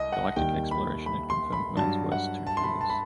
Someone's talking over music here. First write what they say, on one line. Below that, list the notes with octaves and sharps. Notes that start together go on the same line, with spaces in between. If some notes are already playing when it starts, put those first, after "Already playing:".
Galactic exploration had confirmed man's worst two fears.
Already playing: C2 D#5
F#5
D#2 D#3 G3 G5
B5
B5
C6
B5
G2 F#3 A5
F#5
A5
C6
B5
A5
B5